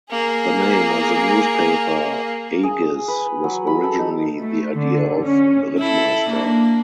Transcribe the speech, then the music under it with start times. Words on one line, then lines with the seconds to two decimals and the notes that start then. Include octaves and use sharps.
The name of the newspaper "Agis" was originally the idea of Rittmeister.
0.10 A#3 G#4
2.63 G#4
2.82 D#6
3.08 B4
3.44 F#3
3.67 B5
3.83 A4
3.98 D#4
4.40 A3
4.77 D3
5.22 C#4
5.79 E4 A4
6.29 A#3 D4